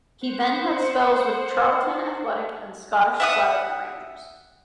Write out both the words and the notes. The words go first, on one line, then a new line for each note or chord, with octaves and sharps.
He then had spells with Charlton Athletic and Scottish side Rangers.
C5 F#5
E5 F#5 D#6